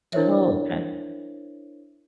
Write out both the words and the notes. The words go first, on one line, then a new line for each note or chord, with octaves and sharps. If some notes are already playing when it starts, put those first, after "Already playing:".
Oh, 'kay.
D4 E4 A#4 C5 C#5 E5